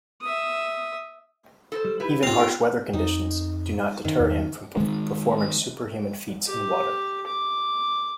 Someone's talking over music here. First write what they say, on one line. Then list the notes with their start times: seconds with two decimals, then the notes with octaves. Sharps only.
Even harsh weather conditions do not deter him from performing superhuman feats in water.
0.21 E5 D#6
1.72 A4 A#4 C5
1.85 G3
2.00 D#4 E4 G4 A4 B4
2.23 C4 F4 F5
2.39 B3 G5
2.93 F2 D#4
4.05 F#2 D#3
4.20 E2
4.77 D#3 G#3
6.47 G4
7.26 D6